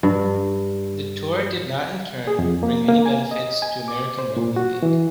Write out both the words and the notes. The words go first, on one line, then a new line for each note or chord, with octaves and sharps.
The tour did not in turn bring any benefits to American rugby league.
G2
G#4
F2
A#3
A#3
G#5
D#5
G#5
D6
C5
A#2
F#4
E3